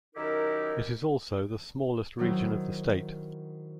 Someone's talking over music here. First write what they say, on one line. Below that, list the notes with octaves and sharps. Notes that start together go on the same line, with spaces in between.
It is also the smallest region of the state.
F#2 D#3 D#4 E4 G4 A#4
D#3 F#3 C4 E4